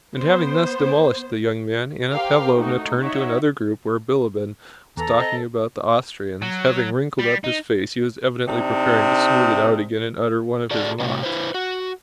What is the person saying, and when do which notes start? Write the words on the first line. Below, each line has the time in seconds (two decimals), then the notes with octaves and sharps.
And having thus demolished the young man, Anna Pavlovna turned to another group where Bilibin was talking about the Austrians: having wrinkled up his face he was evidently preparing to smooth it out again and utter one of his mots.
0.15 B3 C5
2.11 G4 A#4 C5 F5 G5
2.57 A3 D#4 F#4
3.00 D#4 C#5 D#5 E5 F#5
4.97 E2 A4 A#5
5.19 C4 D#5
6.42 F#3
7.19 G3
7.44 D#4
8.47 C3 D4 D#4
10.71 F#4 G#4 A4 D5
11.00 A2 C3 F#3
11.23 E4 B4 C5
11.54 F#4